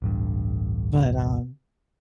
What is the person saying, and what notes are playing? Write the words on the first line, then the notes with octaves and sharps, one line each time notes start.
But, um
D1 A1 G2